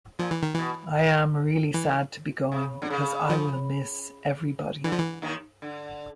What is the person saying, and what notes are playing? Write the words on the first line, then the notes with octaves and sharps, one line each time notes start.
I am really sad to be going because I will miss everybody.
A#2 F3
E3
D#3
B2 E3
E3
C#3
D3
C#3
F3
D3 E3
F3
E3
D#2 D#3
D3